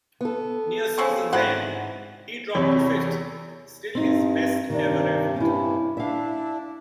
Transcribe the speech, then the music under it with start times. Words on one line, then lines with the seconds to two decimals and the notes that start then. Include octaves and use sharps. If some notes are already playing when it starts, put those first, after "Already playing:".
Near season's end, he dropped to fifth, still his best ever effort.
0.21 B3 A4
0.98 C#3 C4 C#6
1.33 G#2 C4 E4 F#5
2.55 E2 C3 C#5 B5
3.95 G2 C4 D#4
4.70 G2 C3 D#3 D4
5.36 G2 C3 C#4 E4
5.97 D4 E4 E5 F5